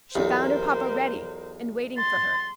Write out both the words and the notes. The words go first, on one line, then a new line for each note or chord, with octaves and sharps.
She found her papa ready, and waiting for her.
B1 E2 G4 A#4 C5
C6 A6